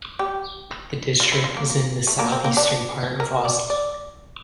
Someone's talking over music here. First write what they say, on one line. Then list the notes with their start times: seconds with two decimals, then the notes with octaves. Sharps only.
The district is in the southeastern part of Oslo.
0.19 G4
1.20 F4
1.32 E4
1.44 F4
1.57 A#3
1.70 A#3
2.07 A3
2.19 A#3
2.32 C4
2.44 A#3
2.57 D4
3.20 A#4
3.45 D5
3.70 D5